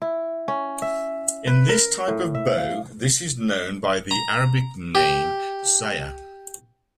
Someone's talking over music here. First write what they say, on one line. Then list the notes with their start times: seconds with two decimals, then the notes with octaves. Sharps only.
In this type of bow, this is known by the Arabic name 'siyah'.
0.02 E4
0.48 C#4
0.82 E5
1.47 B4
1.69 A#4
2.08 A2
2.35 E5
2.58 F5
4.11 A#5
4.95 G4